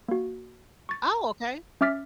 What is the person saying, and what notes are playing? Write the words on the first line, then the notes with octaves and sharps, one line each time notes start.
Oh, okay,
A#3 F#4
C#6 A6
C#4 E5 D6 F6 A6 B6